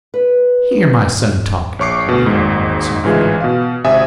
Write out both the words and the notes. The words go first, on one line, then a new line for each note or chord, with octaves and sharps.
"Hear my son talkin'," said the old woman softly.
B4
A#1 C#5 C#6 D6 C7
D2 B2
G#1 D#2 G#2
A1 G#2 E3 F4 G#4
B2 F5
G#1 C3 E5 G#5 D#6